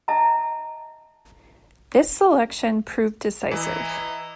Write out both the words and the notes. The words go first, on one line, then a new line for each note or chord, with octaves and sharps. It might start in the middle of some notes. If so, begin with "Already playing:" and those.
This selection proved decisive.
D#5 E5 A5 A#5
E3 E4 D#5 A#5